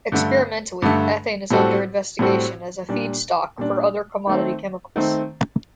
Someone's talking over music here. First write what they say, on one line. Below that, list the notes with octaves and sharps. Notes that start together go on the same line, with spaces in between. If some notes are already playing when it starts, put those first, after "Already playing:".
Experimentally, ethane is under investigation as a feedstock for other commodity chemicals.
G2 D3 A3
G2 D3 A3
A2 G3 C4 F#4 A4
A2 G3 C4 F#4 A4
A#2 G3 D4
A#2 G3 D4
D#3 A3 C4
D#3 A3 C4